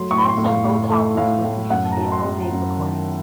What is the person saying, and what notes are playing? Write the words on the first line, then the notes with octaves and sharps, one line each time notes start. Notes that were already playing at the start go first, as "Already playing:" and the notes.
The tracks on both albums were produced via homemade recordings.
Already playing: F#3 A3 C6
A2 C#6
C6
A2
F5
A2
A3
A2 F5
A2
F#2 F#5
A5
A#5
F#3 A5
C6
F#2
F#2
D#3